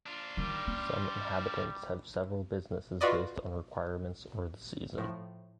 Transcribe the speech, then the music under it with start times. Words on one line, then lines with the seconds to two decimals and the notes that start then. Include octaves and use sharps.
Some inhabitants have several businesses based on requirements or the season.
0.06 D4 F4
0.37 D#3 F3 G3
0.67 C#4
3.01 F4 F#4 B4 D5 D#5
4.98 A2 F3